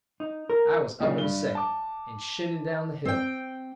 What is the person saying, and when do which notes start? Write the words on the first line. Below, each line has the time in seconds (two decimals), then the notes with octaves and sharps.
I was up in a second and shinning down the hill.
0.20 D#4
0.50 A#4
1.00 A#2 C#3 F#3
1.18 G2 G7
1.55 A5 D6
3.05 C4 G5